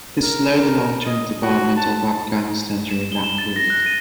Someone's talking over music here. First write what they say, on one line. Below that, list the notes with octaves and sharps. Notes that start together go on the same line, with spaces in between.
This slowed the long-term development of Afghanistan during that period.
A#4
A#4
D#5
F#4
A5
E7
G7
E7
A6
A#6
F#6
D#7